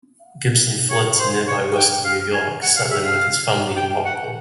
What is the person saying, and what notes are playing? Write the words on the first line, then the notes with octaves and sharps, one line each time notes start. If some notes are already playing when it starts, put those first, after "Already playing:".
Gibson fled to nearby western New York, settling with his family in Lockport.
C#5
C5
C#5
G5
F5
G#5
F#5
F5
E5
F5
G5
F#5